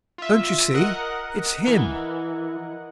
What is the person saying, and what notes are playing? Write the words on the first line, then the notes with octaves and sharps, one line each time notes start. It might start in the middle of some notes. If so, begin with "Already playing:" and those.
"Don't you see? It's him!"
F4 E5
A#4 D#5 F#5
E3